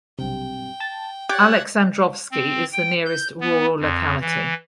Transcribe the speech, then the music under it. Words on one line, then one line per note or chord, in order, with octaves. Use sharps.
Alexandrovsky is the nearest rural locality.
B1 G2 C3 G5
A5 A6
G4 C#5 D5 F#5 D6 F#6 G#6 A6
C4
G5
G6
B3
F2
E3